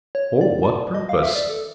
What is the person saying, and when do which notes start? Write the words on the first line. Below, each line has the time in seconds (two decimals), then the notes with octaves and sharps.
"For what purpose?"
0.15 C#5
0.41 D5
0.94 D#5
1.09 F5
1.23 E5
1.35 D5
1.49 A4